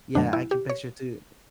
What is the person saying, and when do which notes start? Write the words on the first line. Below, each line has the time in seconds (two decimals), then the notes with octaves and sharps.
Yeah, I can picture it, too
0.15 F#2 D3 F#3 A3 D4
0.33 E4
0.51 G4
0.69 C#5